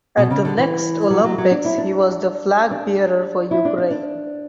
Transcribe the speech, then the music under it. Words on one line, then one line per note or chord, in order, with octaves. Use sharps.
At the next Olympics he was the flag bearer for Ukraine.
B2
C#3
D3
E3
F#3
F#3
F#3
D4
E4
D4
D4
E4
D4
D4
D4